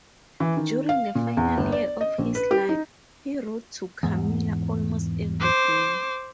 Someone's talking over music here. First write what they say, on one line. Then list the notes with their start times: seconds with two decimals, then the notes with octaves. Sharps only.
During the final year of his life, he wrote to Kamila almost every day.
0.40 E3
0.57 D#3
0.89 F5
1.15 A#2
1.37 E2
1.58 G1
1.72 D5
2.01 D#5
2.18 A#1
2.35 B4
2.51 G4
2.69 D#4
4.03 E2 G#2
5.40 C5 D6